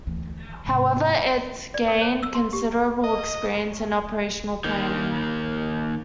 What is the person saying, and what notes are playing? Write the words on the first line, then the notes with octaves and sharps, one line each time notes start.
However, it gained considerable experience in operational planning.
D2 E3
G#2 C3
D5
A#4
C5
E6
C6
G4
D#5
D#3 A#3